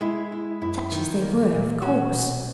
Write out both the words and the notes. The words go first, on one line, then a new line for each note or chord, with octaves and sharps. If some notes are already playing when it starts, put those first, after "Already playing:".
"Such as they were, of course."
G#3 E4
E4
F#2 E4
D#3
A#3
A#2
C#4 F#4
B1